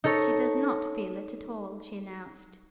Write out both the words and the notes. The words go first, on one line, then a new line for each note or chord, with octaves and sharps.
"She does not feel it at all!" she announced.
D#4 A4 C#5